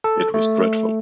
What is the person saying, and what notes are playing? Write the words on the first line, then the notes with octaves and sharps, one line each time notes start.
It was dreadful.
A4
A3